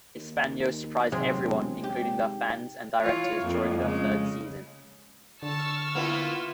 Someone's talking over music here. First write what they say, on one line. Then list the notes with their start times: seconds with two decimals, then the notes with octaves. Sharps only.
Hispano surprised everyone including their fans and directors during their third season.
0.16 D#2
1.12 C3 F#3 G#4
1.36 E1
1.84 G#2 G4
3.02 E3 F4 C#5
3.40 F2 A#3
3.82 C#3 G#3
5.43 D3 A5 C#6 E6 F6
5.95 A#3 B3 E4 F4 B4